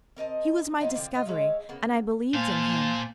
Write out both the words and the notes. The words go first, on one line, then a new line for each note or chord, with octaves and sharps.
He was my discovery and I believed in him.
C4 A#4 D#5 A5
F#3 B3 D#4 F4
D3 F3 C4
F4 D#5
G#3 C#5 E5 F5
C#3 A#3 B3
A#2 A#3 C5 F5 G#5 A5